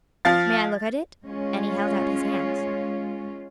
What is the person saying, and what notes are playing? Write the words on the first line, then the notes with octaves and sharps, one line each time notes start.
"May I look at it?" And he held out his hand.
F3 F5 A6
G#3 C#4 F4